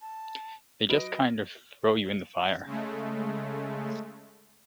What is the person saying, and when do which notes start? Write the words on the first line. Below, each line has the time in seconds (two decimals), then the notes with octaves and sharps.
They just kind of throw you in the fire.
0.01 A5
0.89 F#3 B4 D#5 D7
2.65 C#3 G#3 A3